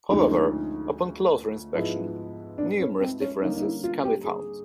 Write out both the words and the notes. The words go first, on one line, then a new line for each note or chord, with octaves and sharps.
However, upon closer inspection, numerous differences can be found.
D2 D3 F3 G#3 C#4 D#4
G#2 F3 G#3 B3 E4
D4
C#4
C4
C#4
D3 G3 A#3 C#4 D#4
D#4
E4
F4
G4
G#4